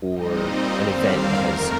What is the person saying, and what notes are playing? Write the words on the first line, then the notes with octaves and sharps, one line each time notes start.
or an event that has
A#2 G3 C4 D#4 D#5
D#2 D3 G3 C4 F5
A#4
F2 D#3 A3